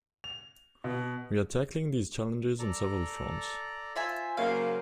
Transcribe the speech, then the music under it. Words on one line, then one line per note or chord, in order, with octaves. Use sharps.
We are tackling these challenges on several fronts.
F7
B2
A4 D5 A#5
F4 C5 E5 G#5
C#3 F#3 A#3 F5